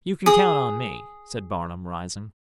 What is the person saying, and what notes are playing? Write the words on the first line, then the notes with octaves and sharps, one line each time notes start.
"You can count on me," said Barnum, rising.
G#4 D#6